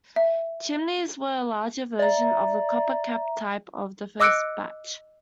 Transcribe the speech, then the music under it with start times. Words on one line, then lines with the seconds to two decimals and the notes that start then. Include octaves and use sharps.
Chimneys were a larger version of the copper-capped type of the first batch.
0.16 E5
1.99 D5 E5 A#5
4.20 D#5 D6 E6 F#6 C#7 D7